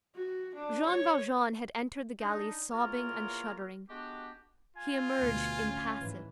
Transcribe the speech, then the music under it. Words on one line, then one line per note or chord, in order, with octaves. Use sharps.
Jean Valjean had entered the galleys sobbing and shuddering; he emerged impassive.
F#4
D4
C#5
D4 D#4
E2 A#3 F4 A#4 C#5 F6
G#3 B3 D4 F#4 G4
F4 G#5
D2 B2
C#4
G#2 E3